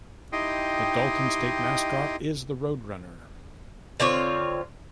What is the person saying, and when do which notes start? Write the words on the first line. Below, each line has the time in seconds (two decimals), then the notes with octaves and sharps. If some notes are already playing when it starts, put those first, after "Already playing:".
The Dalton State mascot is the roadrunner.
0.32 D#4 E4 G4 D#5 G5 C6
4.00 D3 C4 F4 C#5